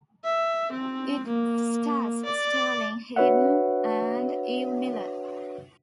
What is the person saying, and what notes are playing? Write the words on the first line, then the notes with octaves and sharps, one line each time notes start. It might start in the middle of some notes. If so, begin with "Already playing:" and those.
It stars Sterling Hayden and Eve Miller.
E5
C4
A#3
D5
D4 F#4 B4 C#5 E5 F#5